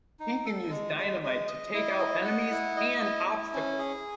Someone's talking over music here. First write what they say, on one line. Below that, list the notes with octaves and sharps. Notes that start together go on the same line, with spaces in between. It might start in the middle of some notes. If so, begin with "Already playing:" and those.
He can use dynamite to take out enemies and obstacles.
D#4
A4
G#3
G#3
G#3
D#5
E4
D#5
F#5
E4
D#5
E4
E4
C#4
G#4